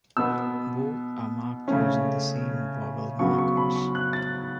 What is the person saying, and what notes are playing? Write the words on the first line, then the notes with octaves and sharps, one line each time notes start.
Both are marked using the same vowel markers.
B2 B3 E6
C#3 A3 C#4
C#3 F#3 B3 C#6
C#6
B5
C#6
F#6
A6